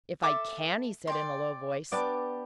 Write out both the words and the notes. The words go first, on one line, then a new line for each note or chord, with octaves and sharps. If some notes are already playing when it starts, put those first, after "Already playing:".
"If I CAN!" he said, in a low voice.
A4 E5 A5 D6
D5 G5 C6
B3 D4 G4 D5 G5 D6